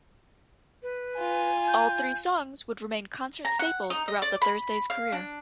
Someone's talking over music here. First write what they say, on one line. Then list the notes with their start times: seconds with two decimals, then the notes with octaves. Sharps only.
All three songs would remain concert staples throughout the Thursday's career.
0.83 B4
1.19 F4 G#5
1.68 G6
3.45 A#5
3.59 F#5
3.90 D#4
4.08 D#5
4.22 D5
4.42 B5
4.90 F5
5.12 D4